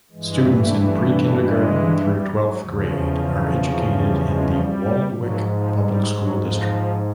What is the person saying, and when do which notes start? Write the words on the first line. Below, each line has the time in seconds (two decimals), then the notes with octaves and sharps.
Students in pre-kindergarten through twelfth grade are educated in the Waldwick Public School District.
0.11 G2 E3 G#3
0.43 A3
0.73 A3
1.05 A3
1.36 G#3
1.99 G3
2.30 F#3
2.61 E2 C#3 F3
3.23 F#3
3.54 F#3
3.87 G3
4.18 G#3
4.49 G3
5.10 G#2 F3 F#3
5.42 F3
5.73 G3
6.05 F#3
6.36 F3